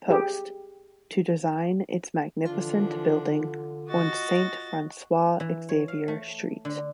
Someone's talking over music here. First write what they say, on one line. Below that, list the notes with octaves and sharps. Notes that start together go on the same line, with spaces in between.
Post, to design its magnificent building on Saint Francois-Xavier Street.
G4 G#4
D3 E3 F3 D4 F4
F#4 D#5 A6 A#6
E3
C#5
F5
A3
D3